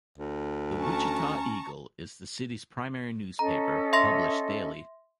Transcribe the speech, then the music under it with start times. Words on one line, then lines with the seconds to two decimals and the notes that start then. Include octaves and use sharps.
"The Wichita Eagle" is the city's primary newspaper, published daily.
0.18 D2
0.79 C#4 A5 A#5 C#6
3.39 C#4 A4 D#5 A#5
3.93 E5 C6 A#6